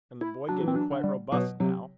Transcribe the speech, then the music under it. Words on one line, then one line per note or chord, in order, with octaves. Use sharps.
And the boy getting quite robust now!
E4
F#3 D4
E3
C4
F#3 D4
D3
G3
B2 F#3
C3 F#3